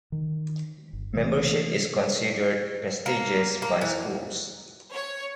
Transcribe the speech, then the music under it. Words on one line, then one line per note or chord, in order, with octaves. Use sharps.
Membership is considered prestigious by schools.
D#3
G1
C3 E3 A3 A#3
A#3
A#3
E3
C#5